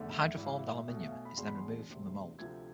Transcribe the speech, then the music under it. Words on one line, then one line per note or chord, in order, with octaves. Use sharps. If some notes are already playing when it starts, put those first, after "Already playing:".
The hydroformed aluminium is then removed from the mold.
Already playing: F1 E2 D3 A3
E5
G#1 G#2 E3 E5
F5
E5
B1 B2 A3
E5
F5
G#5
B5
E1 E2 B2 G#3 C6
B5
C6
E1 D2 C3
D2 C3 F3 A3 G#6